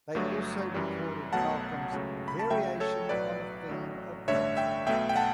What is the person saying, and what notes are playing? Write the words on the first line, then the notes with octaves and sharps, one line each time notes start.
They also recorded Malcolm's "Variations on a Theme of Mozart".
G1 G2 F#3 A3
F#2 E3 G3
B1 B2 F#3 A3 F#5 A5
C#2 C#3 F#3 A3
B5
A5
C#2 C#3 F#3 A3 E5 G5
A4 C#5
B1 A2 F#3 B4 D5
A1 A2 F#3
A1 G2 D3 A3 C#5 E5
E5 G5
B1 B2 A3 E5 G5
G5
F#5 A5